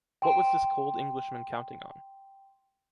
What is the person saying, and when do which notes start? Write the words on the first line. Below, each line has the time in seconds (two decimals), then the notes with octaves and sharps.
What was this cold Englishman counting on?
0.22 G5 C6